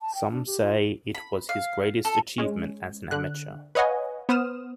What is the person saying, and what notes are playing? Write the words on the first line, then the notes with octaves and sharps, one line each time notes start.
Some say it was his greatest achievement as an amatuer.
A5
G5
D4
G4
F4
B5
F5
A4
G#3 C#4
D3 F#6
B4 C#5 D#5 F5 F#5 G#5
B3 C5 D#6 F6 E7